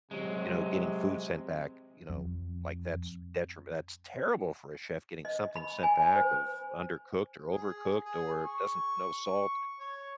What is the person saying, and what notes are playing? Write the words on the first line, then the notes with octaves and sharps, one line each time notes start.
you know, getting food sent back, you know, like, that's detriment That's terrible for a chef getting something sent back of undercooked or overcooked or doesn't no salt,
C3 F#3 G#3
F2
D#5
B5
G#5
C5
G#4
G#4
C#6
C#5